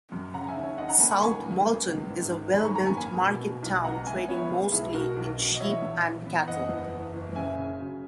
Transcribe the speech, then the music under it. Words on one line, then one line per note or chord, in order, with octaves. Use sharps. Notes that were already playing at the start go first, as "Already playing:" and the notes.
South Molton is a well-built market town trading mostly in sheep and cattle.
F#2
C#3 F#5 A#5
E5 G#5
D#2
C#5 E5
D#2 D#5 F#5
F#5 A#5
A#3 G#5 B5
A#5 C#6
C#2 G#5 B5
C#2
C#2
C#2
G#1
D#3
G#1 G#5 B5
A#5 C#6
F#2 A#5 C#6
G#5 B5
A#3 G#5 B5
B2
B2
B1
C#2 F#5 A#5
B3 E5 G#5
B3 C#5 E5
C#2
B1 E4 G#4
B2 F#4 A#4
B1
B2
D#5
E3 C#5 E5
A#1
E3
B3
F#1 D#5 F#5
E2
F#1
F#1
C#3 E5 G#5
C#3
F#3